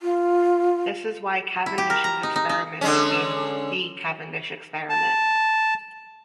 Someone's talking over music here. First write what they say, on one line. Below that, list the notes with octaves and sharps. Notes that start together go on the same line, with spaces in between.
This is why Cavendish's experiment became "the" Cavendish experiment.
F4
E4
G4
A#4
A#5
D#4
D#4
D#4
D3 G#3 C#4
A5